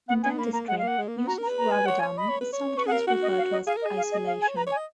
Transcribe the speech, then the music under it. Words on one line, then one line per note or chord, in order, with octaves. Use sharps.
In dentistry, use of a rubber dam is sometimes referred to as "isolation".
B3 F#5
B3 G#5
A#3 B5
A#3 A#5
G#3 F#5
A#3 F5
F#5
G#3
A#3
B3
F#4 A#5
A#4
A#5
B4
A#5
G#5
C#5 F#5
G#5
C#5
D#5 B5
C#5
B4
C#5
B4 C#6
G#4 F#5
A#4 F5
F#4 F#5
D#5
F5
D#5
G#4 F5
A#4
D#5
G#4
F5
D#5
F5
G#5
C#5
B4 A#5
C#5
G#5
D#5